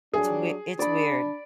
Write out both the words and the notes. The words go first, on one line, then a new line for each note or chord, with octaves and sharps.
It's wei it's weird.
F#3 G3 D4 G#4
D4 D5 B5